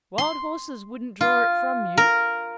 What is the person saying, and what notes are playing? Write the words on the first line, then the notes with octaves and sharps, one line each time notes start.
Wild horses wouldn't draw it from you?
C6
F4
A#4